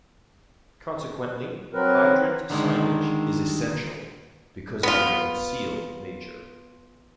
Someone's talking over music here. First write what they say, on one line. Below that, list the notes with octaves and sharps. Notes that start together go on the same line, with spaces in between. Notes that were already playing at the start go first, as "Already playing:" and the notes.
Consequently, hydrant signage is essential, because of their concealed nature.
F#3 C4 A#4 B4
D3 D#3 G#3
B3 F4